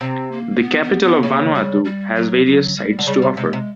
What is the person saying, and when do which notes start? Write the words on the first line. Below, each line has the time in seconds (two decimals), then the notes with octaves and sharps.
The capital of Vanuatu has various sights to offer.
0.01 C3 C4
0.32 A#3
0.62 B3
0.83 B3
1.03 B3
1.23 C#3 A#3
1.54 G3
1.85 G3
2.15 F#3
2.46 F#3
2.76 G3
2.99 D3
3.07 C#3 G3
3.22 C#3
3.37 C3 G#3
3.53 C3